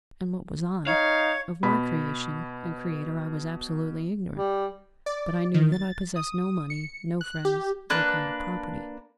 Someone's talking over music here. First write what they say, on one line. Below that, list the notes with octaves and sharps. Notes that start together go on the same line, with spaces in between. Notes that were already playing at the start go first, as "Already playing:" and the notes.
And what was I? Of my creation and creator I was absolutely ignorant, but I knew that I possessed no money, no friends, no kind of property.
D#4 C#5 F5
B2 B5
G3
D5
D#3
A6
D#6
C#7
F#6
G4
A#3 D4 B4 F#6